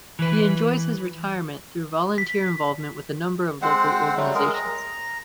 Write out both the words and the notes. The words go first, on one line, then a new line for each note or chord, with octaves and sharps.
He enjoys his retirement through volunteer involvement with a number of local organizations.
E3 B4
B6
G#3 C4 C5 F#5
F#3 G3 A3
G#3 G#4 A#4
A#5